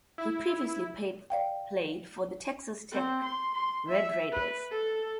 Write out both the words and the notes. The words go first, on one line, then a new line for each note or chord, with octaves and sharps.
He previously played for the Texas Tech Red Raiders.
E4
D5 F5 G5
C4
C6
C6
E5
B4
A4